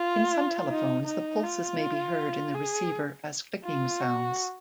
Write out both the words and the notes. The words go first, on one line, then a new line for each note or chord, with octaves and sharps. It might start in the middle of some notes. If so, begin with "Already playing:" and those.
In some telephones, the pulses may be heard in the receiver as clicking sounds.
Already playing: F4
D#4
D#4
F4
G#4
F4
F#4